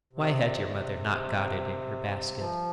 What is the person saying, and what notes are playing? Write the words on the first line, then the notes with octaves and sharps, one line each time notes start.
Why had your mother not got it in her basket?'
C3
C3
F3